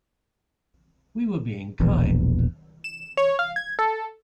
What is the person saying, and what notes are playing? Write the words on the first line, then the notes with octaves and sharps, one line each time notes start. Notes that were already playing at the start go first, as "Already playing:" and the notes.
We were being kind.
E1 A#1 E2
E7
C#5
F5
G#6
A4